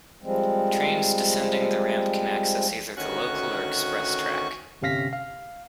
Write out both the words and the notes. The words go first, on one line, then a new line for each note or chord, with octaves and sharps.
Trains descending the ramp can access either the local or express track.
F3 G3 G#3 C4
D2 D#3 C#4 F#4 C#6 F#6
G1 C3 C#4 F5 A#6 B6
F5